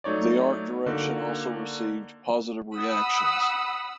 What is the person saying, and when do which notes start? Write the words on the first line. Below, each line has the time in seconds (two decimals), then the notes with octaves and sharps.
The art direction also received positive reactions.
0.04 F#3 A3 D#4 C#5 D5
0.86 D3 A#3 D#4 F#4
2.75 F#5 B5 D#6 E6